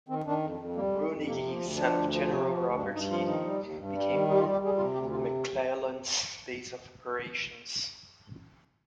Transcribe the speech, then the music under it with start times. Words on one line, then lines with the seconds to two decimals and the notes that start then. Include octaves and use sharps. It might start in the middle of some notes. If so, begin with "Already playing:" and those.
"Rooney" Lee, son of General Robert E. Lee, became McClellan's base of operations.
0.09 D#3 C4
0.25 D#3 D4
0.43 F2
0.59 F2
0.75 G3 A#3
0.93 F2 G#3
1.09 F2 G#3
1.26 C3 A#3
1.42 F3
1.51 A#3
1.59 D2
1.76 F3 D4
1.93 D2
2.09 F3
2.26 C3
2.44 F3
2.60 D2
2.76 G2 D4
2.94 G2 D#4
3.10 F3 F4
3.26 D#3 D#4
3.44 G3
3.61 D#2
3.77 G2
3.94 G3
4.10 D#3
4.28 G3 D#4
4.34 G4
4.39 F4
4.43 G3
4.52 G4
4.61 G3 G#4
4.77 C3 F4
4.93 D2 G4
5.10 C3 F4